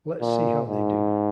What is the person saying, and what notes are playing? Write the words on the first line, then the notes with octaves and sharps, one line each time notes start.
Let's see how they do.
A#2
G#2